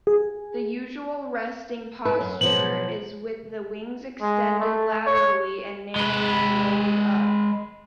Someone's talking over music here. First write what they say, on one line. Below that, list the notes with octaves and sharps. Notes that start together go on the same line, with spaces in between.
The usual resting posture is with the wings extended laterally and narrowly rolled up.
G#4
E4 B4
F#2
B2 F3 F#3 F#7
G#3
A3
C#5
G#3 B4